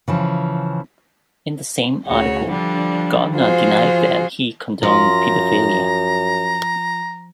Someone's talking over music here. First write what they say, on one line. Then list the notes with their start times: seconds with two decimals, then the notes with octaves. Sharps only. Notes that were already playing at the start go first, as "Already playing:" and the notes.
In the same article, Gardner denied that he condoned pedophilia.
0.08 C#3 E3 F3
2.07 D2 C#3 F#4 C#5
2.51 D3 F3 G3 D4
3.35 F3 F4 F#4 G#4 C5
4.83 F#2 F3 A#5